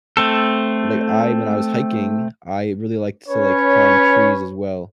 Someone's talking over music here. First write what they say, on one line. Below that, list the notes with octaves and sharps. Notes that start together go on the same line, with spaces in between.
Like, I when I was hiking, I really liked to, like, climb trees as well,
A3 C4 A4
C#4 B4 C#5